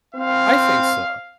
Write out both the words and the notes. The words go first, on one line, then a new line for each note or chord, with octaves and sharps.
I think so.
C4 F5